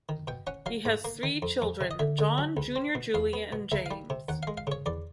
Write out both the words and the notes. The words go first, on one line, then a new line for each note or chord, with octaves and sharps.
He has three children, John Junior Julie, and James.
D#3
B2 G5
C#4 F#5
F#3 F5
G#2
A#3
D#3
F2
F2
C3
D#5
D3 E5
D3
F#3
C#2
C4
B2
E2 F5
B3
B2
C#2 E5
G3 F5
C3
D#2 F#5
G#3 F5
F5
C#3 C#5
E2 D5